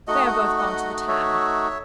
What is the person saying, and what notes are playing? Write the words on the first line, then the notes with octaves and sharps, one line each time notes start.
They're both gone to the town.
A3 D#4 F#4 D#5 F#5
D#5 F#5
C#5 E5